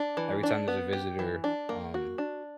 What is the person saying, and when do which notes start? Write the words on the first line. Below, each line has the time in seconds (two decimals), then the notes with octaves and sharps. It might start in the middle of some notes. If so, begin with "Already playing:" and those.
every time there's a visitor, um,
Already playing: D4
0.17 E3
0.43 D4
0.68 B3
0.93 G4
1.19 E3
1.44 D4
1.69 A#3
1.94 F#4
2.18 D4